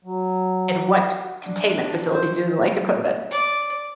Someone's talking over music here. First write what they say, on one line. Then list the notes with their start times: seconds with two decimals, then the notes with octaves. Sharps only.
and what containment facility do you like to put it in?
0.05 F#3
1.18 F#4
1.44 D4
2.13 C5
3.31 D5